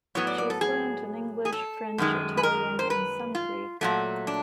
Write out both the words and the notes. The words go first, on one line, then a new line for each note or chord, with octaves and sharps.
She is fluent in English, French, Italian and some Greek.
A2 F#3 B3 C#5
D5
D5
A4
G#4
G#4
A4
F#2 D#3 G#3
B4
A#4
C5
B4
F4
A#2 F#3 A3
D4